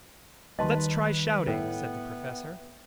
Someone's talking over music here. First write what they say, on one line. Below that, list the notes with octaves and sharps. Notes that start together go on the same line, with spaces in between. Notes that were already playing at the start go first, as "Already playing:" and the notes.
"Lets try shouting," said the Professor.
D#2 D#3 G3 B4 D#5 A5 C6
A2 B3 E5 G5